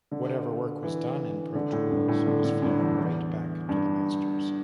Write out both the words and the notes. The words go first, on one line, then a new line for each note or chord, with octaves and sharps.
Whatever work was done in Pro Tools was flown right back to the masters.
D3
E3
D3
A2
G2
A2
D3
D3
G2
E2
E2
G2